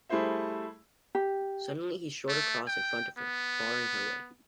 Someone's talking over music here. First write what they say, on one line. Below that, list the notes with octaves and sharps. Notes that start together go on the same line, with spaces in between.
Suddenly he strode across in front of her, barring her way.
G3 A3 E4 G#4 C5 E5
G4
A3
G5
B3